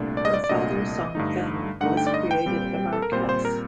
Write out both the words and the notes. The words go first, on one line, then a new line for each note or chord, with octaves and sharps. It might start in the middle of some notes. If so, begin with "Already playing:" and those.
Her father Song Feng was created a marquess.
Already playing: C2 A#2 A3 D4
D5
D#5
D5
D5
C2 A#2 A3 D4 D#5
G2 D3 A3 D#4
G2 D3 A3 D#4 F#5
G5
D5
D#5
G5
A#2 G3 C4
A4
A#4
A#2 G3 C4 C5
C5
A#4